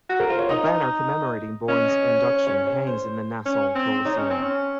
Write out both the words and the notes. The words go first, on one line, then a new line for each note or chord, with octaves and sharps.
A banner commemorating Bourne's induction hangs in the Nassau Coliseum.
F#4
A#4
F4 C5
C#5
D#4 D#5
C#4 D#5
D#5
C#5
C#5
C#5
C#5
C5
C#4
C4
D#4 C#5
C#4
C4
C#4